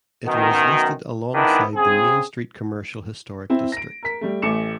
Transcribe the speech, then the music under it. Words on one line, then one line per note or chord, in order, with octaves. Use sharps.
It was listed alongside the Main Street Commercial Historic District.
F#2 B2 D#3
G#2 D#3 B3 D4 E4
C#3 C4 G#4
C4 E4
A#6 D7
A#4 B6
G3 A3
A1 A3 D6 C#7 E7